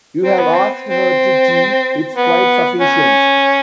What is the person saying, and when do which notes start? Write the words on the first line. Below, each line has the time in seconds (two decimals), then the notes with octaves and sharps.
You’ve asked her to tea; it’s quite sufficient.
0.23 C4
0.39 B3
0.54 C4
0.88 C4
2.15 B3
2.80 C#4